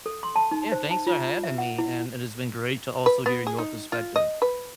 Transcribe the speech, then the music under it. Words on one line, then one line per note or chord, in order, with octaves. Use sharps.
Yeah, thanks for having me, and it has been great to also hear your perspective.
A4
C6
A5
D#4
C5
A5
F4
E5
F#5
E4
B4
B3
G#4
D#4
F4
D#5
B4